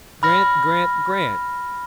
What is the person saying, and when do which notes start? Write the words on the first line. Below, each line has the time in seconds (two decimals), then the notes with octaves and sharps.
Grant, Grant, Grant!
0.23 B5 F6 A#6